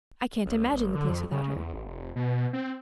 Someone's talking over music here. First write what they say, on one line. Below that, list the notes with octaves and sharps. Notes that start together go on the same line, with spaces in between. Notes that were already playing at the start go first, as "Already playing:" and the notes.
I can't imagine the place without her.
C#2
G#1
D3
F2
C#3
E2
A1
F1
F1
B2
C4